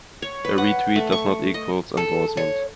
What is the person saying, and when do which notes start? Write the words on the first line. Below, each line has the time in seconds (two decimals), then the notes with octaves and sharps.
A re-tweet does not equals endorsement.
0.22 C#5
0.45 B4
0.58 F#5
0.96 A3
1.12 C#6
1.54 D#5
1.97 A4
2.37 C#5